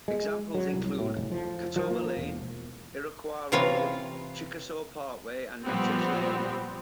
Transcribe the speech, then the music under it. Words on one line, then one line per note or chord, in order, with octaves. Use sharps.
Examples include Catawba Lane, Iroquois Road, Chickasaw Parkway, and Natchez Lane.
G#3
F#3
C2
A2
F1
F3
F3
A#3
E1
C3 E3 F4 A#4 C#5 F5
A#2 F3 G3 B3 C4